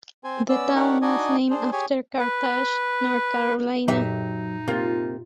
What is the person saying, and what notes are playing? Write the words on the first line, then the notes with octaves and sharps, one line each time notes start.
The town was named after Carthage, North Carolina.
C4 C5 G#5
B3 C#4 D5 E6
D4 D#4 G4 A#4 C#5 F#5
D4 D#4 F#4 D5 D#5 G#5
D4 G#4 C5
G4 G#4 C#5 G#5
B4
F#2 A#2 F#3 D#4 G4 E5
C3 A#3 F4